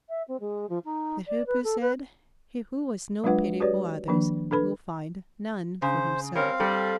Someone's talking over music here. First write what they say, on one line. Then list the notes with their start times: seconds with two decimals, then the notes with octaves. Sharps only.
The Hoopoe said, "He who has no pity for others will find none for himself."
0.09 E5
0.28 C4
0.40 G#3
0.69 F3
0.84 D#4
1.27 D5
1.46 B4
1.64 A4
1.81 B4
3.24 F#3 G#3 D4 F4 B4 F#5
3.60 F#4 G4 B4 C#5 D5
4.08 D#3 F3 A#3 D4
4.51 D4 A4 B4 B5
5.82 C#3 C5
6.36 G3 C4 C#4 A#4 F5
6.60 G3 A4